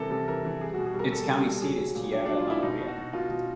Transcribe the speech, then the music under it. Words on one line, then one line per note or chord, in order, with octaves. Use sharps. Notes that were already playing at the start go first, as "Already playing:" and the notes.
Its county seat is Tierra Amarilla.
Already playing: C3 E3 G3 A4 A#4
C3 A4
E3 A#4
E3
G3 G#4
B2 F#4
G#4
G3 A#4
G3 A4
G3
B2
F#3 G#4
F#3
A#2
F#3 D4
F#3 D4
F4
A#2 E4
B2 D#4
B2
F#4
B2
B2 F4
B2